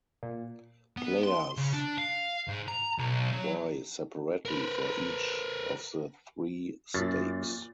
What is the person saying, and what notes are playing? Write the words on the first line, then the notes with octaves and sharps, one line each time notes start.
Players vie separately for each of the three stakes.
A#2
B3
C6
C#3
D4
F5
G#2
A#5
B1
F#3
A#4 B4
F#2 A#2 A6